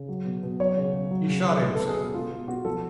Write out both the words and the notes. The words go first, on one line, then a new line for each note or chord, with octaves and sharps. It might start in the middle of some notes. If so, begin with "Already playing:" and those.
He shot himself.
Already playing: C#3
F#3
B2
B2
F#3 C#5
C#3
C#3
F#3
C#3
C#3
G#3 B4
B2 A4
G#4
B2
G#3 F4
B2
B2 F#4
F3 A4